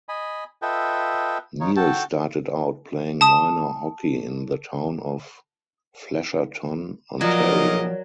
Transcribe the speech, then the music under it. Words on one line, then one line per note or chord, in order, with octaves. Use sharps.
Neil started out playing minor hockey in the town of Flesherton, Ontario.
D#5 G#5 B5
F4 A4 B4 D#5 E5 G5
D#4 F4 C#5
F#4 A4 G5 A5
A5 D#6 E7
A#2 F3 F#3 A#3 F4 A#4 D5 D#5